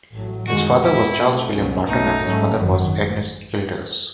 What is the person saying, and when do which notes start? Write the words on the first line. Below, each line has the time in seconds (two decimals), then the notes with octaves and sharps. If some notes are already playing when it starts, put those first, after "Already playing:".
His father was Charles William Barton and his mother was Agnes Childers.
0.13 A1 A2 F#3
0.47 F#2 D#3 G#3 F#4
0.82 E2 B2 G#3 B3 E4
1.17 B1 B2 A3
1.51 C#2 B2 F#3 C#4
1.87 B1 B2 A3 C#4 D#4
2.21 G#2 F#3 A3 C#4
2.56 G#1 F#2 D#3 F#3